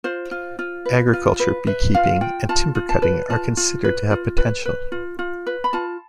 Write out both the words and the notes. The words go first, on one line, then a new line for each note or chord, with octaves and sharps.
Agriculture, beekeeping, and timber-cutting are considered to have potential.
F4 C5
F4
F4
B4
F4
B4
B4 E5
F4 F5
F4 G5
F4 A5
F4
A5
B4
F4 A5
F4
B4
F4
B4
B4
F4
F4
B4
B5
F4 A5